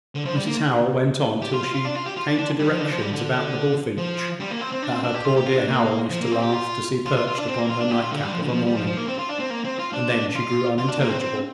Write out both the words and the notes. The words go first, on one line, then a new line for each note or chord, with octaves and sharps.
Mrs Howell went on till she came to directions about the bullfinch that her poor dear Howell used to laugh to see perched upon her nightcap of a morning; and then she grew unintelligible.
D3
F3
G3
A#3
G4
F4
F4
F4
D4
F4
G4
F4
D4
D4
G3
F3
D3
F3
G3
D3
F3
G3
A#3
C4
C4
D4
C4
D4
G4
F4
G4
F4
D4
A#3
F3
A#3
C4
G4
F4
F4
F4
F4
D4
C4
A#3
F4
D4
G4
F4
D3
G3
F3
D3
F3
G3
F3
F3
A#3
C4
F4
D4
C4
A#3
C4
F4
D4
F4
F4
D4
A#3
C4
C4